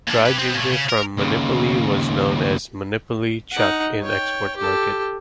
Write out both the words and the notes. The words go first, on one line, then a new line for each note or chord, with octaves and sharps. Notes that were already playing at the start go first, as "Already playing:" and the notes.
Dry ginger from Monippally was known as 'monippally chukk' in export market.
A#2 D4
G4 B4
B3 C4
A#2 A3
C#3
A#4
D#2 C#3
D#4 F#5
C#5 G5
G4 A4